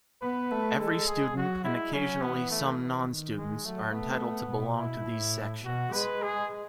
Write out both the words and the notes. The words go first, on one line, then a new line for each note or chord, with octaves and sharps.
Every student, and occasionally some non-students, are entitled to belong to these sections.
B3 B4
A3
G#3 A4
G#4
F#3 F#4
G#3 E4
F#3 C#4
E3 B3
A3
D#3
G#3
F#3 A3
A3 B3
B2
E4
A2
B2 F#4
G#3 B4
G#4